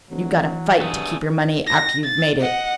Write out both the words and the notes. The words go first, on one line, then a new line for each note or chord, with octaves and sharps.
You got to FIGHT to keep your money after you've made it.
D1 E3 F#3
G2 A3 G#4
A#6
A6
D#5 F#5